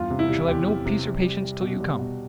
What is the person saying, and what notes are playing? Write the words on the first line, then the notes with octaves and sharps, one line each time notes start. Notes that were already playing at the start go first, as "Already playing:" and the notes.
I shall have no peace or patience till you come.
Already playing: E2 G2 F4
C3
E4
G3
E2 G4
C3
C3
G3
G3
G3
B2
G3
B2